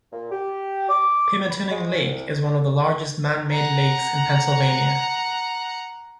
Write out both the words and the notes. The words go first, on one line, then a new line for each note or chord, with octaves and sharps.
Pymatuning Lake is one of the largest man-made lakes in Pennsylvania.
A#2
G4
D6
B5
G#3
C2
F#5 A#5